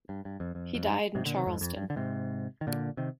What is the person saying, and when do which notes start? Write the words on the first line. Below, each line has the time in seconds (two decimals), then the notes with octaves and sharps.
He died in Charleston.
0.09 G2
0.25 G2
0.40 F2
0.55 F2
0.75 F2
0.85 G2
1.15 G#2 C3
1.26 A#2 D3
1.36 C3 D#3
1.46 F2 G#2
1.61 F2
1.76 G2
1.90 D3
1.96 G#2 C3
2.61 D#3
2.67 A#2 D3
2.97 C3 D#3